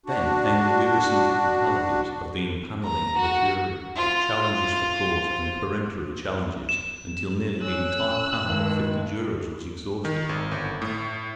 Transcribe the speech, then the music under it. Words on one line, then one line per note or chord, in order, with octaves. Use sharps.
Then came the wearisome technicalities of the empaneling of a jury, with challenges for cause and peremptory challenges, until nearly the entire panel of fifty jurors was exhausted.
D4 F#4
A#5
F#4
F4 C5
E7
C#4 E6 F#6
G2 D#3 G#3
D#3
G#1
G1
A2